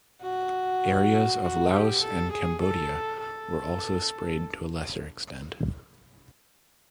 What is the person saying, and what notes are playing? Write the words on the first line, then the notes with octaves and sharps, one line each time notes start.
Areas of Laos and Cambodia were also sprayed to a lesser extent.
F#4
F#4
G4
A4
G#4
A4
A4